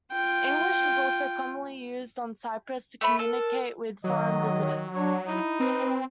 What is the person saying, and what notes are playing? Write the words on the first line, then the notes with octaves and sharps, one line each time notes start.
English is also commonly used on Cyprus to communicate with foreign visitors.
F4 G5
A3 B5
A4 A#4
D#3 F#3 D#5
D4 C#5
D#4 E4
C4 B4